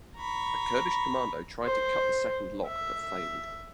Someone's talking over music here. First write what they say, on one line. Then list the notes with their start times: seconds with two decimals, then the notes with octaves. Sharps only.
A Kurdish commando tried to cut the second lock but failed.
0.18 A#5 B5 C#6
1.64 C5
2.67 E5